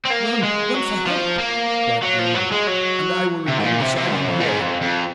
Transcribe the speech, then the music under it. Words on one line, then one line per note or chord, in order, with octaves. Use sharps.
"Run! run for help!" cried Grimaud, "and I will remain beside him here."
C4
A#3
G#3
F#3
F3
A#3
F#3
F3
F#3
G#3
F#3
C3
G#2
A#2
C3
C3
F#2
F2
A#2
G#2
F2
F2